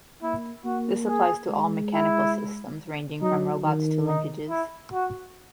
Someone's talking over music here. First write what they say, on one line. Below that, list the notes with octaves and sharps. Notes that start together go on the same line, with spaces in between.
This applies to all mechanical systems ranging from robots to linkages.
A#3 E4
A#3 F#4
G#4
G#3
E4
F#3 D#4
D#3
D#4
E4
F#4